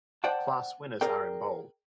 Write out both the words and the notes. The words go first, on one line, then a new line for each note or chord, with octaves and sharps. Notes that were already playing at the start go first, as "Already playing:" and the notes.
Class winners are in bold.
C5 D5 F#5 G5 A5
G#4 A#4 D5 G5